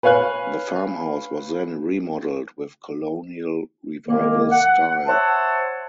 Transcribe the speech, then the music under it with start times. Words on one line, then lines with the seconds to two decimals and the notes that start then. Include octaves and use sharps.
The farmhouse was then remodeled with Colonial Revival style.
0.03 B4 C#5 F5 G#5 F#6
4.08 C2 D#3 G#3 A#3
4.50 F#5
5.07 C5 C#5 E5 F#5 A5